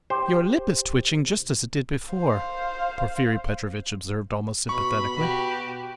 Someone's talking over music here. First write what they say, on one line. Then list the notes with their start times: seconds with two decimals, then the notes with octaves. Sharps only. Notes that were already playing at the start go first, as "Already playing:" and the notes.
"Your lip is twitching just as it did before," Porfiry Petrovitch observed almost sympathetically.
0.10 G4 C5
2.12 C5 F5
4.69 B2 B5 C#6
5.18 B2 F#4 G4